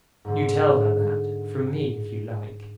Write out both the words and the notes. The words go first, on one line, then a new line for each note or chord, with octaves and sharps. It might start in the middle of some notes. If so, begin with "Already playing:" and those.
You tell her that--from me, if you like.
G#2 D3